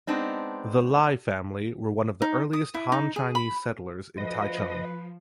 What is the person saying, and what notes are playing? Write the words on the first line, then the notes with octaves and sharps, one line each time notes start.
The Lai family were one of the earliest Han Chinese settlers in Taichung.
G#3 B3 C4 D4 D#4
D#4
D#6
E4
D#4
G#4
B5
D2 F3 B4 D#5